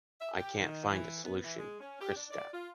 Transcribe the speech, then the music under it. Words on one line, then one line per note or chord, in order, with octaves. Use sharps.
I can’t find a solution, Kristap.
E5
G4
D#3
E3
B3
E3
G#3
C#4
G4
D4
D5
F4